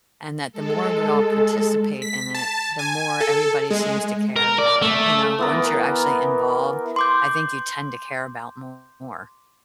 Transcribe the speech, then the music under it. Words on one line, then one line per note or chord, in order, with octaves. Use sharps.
and that the more we all participate in it, the more everybody seems to care about it, you know? Once you're actually involved, I think you tend to care about more,
G#3 A4
B6
A5
G#5
A4
G#3
A#4
D5
A3
E3 B3 A#4
C6 D6 G6